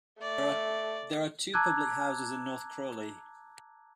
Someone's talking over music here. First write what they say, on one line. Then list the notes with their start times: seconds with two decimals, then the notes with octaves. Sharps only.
There are two public houses in North Crawley.
0.22 A3 D5
1.54 A5 A#5 D6 E6 F#6 G#6